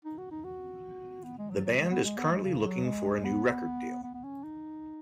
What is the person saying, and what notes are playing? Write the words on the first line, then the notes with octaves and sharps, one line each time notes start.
The band is currently looking for a new record deal.
D#4
F#4
D#4
F#4
B3
G#3
F#3
F#3
G#3
B3
G#3
B3
G#3
C#3
F#3
G#3
B3
B3
B3
C#4
D#4